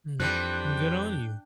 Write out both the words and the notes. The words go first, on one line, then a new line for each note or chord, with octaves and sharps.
Mhm. Good on you.
F2 E3 G3 C4 D4 G5 F#6